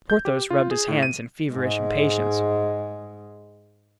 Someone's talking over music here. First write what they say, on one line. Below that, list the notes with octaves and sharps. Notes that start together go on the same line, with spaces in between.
Porthos rubbed his hands in feverish impatience.
G6
G4
F4
G#4
A2
D#7
G#2 G#3